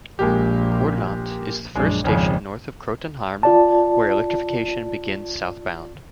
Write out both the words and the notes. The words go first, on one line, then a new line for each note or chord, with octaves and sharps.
Cortlandt is the first station north of Croton-Harmon, where electrification begins southbound.
A#1 A#2 G#3 A#3 G4
A#1 F#2 G#3 D4 G#4
G#1 F2 C#3 G#3
F4 D5 A5